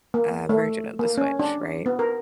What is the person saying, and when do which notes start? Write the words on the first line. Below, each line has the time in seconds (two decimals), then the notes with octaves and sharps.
uh, version of the Switch, right?
0.14 A#3
0.49 A3
0.99 A#3
1.18 C#4
1.39 D4
1.86 B3
1.99 A#4